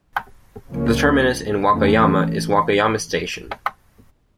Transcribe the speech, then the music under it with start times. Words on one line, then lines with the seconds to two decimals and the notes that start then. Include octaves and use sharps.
The terminus in Wakayama is Wakayama Station.
0.71 C#2 C#3 F3 A#3 C#4
1.70 F2 E3 A3 C#4